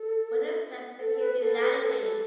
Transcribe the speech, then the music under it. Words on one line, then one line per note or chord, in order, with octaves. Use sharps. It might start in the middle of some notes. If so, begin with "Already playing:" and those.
What they sensed became reality.
Already playing: A4
A4
B4
A4
B4
A4
A4